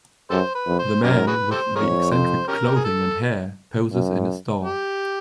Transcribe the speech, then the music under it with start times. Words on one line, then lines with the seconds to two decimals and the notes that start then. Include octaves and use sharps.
The man with the eccentric clothing and hair poses in a store.
0.30 F#2 G4 A4 C5
0.55 B4
0.67 F2
0.79 C5
1.03 F#2 C#4 G4 A#4
1.27 F#4 G#4 B4
1.51 G4 A4 C5
1.76 F2 G#4 A#4 C#5
2.12 C5
2.48 C#4 G4 A#4
2.66 G4
2.75 G#4
2.85 A4
3.92 F#2
4.65 G4